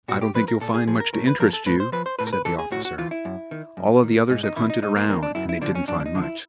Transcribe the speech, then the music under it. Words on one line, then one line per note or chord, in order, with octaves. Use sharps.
"I don't think you'll find much to interest you," said the officer. "All of the others have hunted around, and they didn't find much."
A#2 F#4
G4
F3 B4
A#4
A#2 A4
G#4
F3 G#4
A#4
A2 A#4
B4
F3 A#4
A4
A2 B4
C5
F3 B4
C5
A2 B4
A#4
B4
E3 A4
G#4
A2 F#4
F#4
E3 F4
E4
F#2
D#3
F#2
D#3
G#2 D#4
D#4
D#3 E4
D#4
G#2 D#4
A#3
D#3 A#3
D4
F#2 E4
E4
D3 F3 D4
C#4
F#2 D4
D4
D#4
D3 F3
E4